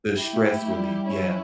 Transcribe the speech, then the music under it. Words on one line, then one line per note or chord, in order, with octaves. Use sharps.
the stress relief, yeah.
E4 G4
A3
A3
A3
G3
C#4 E4
F#3